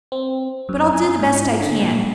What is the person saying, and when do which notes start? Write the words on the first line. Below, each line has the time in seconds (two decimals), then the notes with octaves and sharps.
But I'll do the best I can.
0.12 C4
0.69 F#2
0.94 G#5
1.19 G#2
1.45 E4
1.61 D3
1.80 A#2